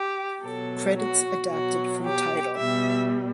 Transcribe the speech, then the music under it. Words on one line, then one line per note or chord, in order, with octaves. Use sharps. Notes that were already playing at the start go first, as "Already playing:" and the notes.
Credits adapted from "Tidal".
Already playing: G4
B2 F#3 A4
F#4
B2 F#3 F#4
G4
B2 G3 E5